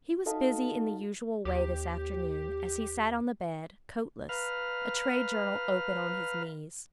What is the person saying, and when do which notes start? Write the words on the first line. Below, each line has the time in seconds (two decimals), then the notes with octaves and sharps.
He was busy in the usual way this afternoon, as he sat on the bed, coatless, a trade journal open on his knees.
0.26 D#4 F#4 A4 D#5 F5 A5
1.45 D#2 G4
4.29 B4 F5 A#5 B5 F6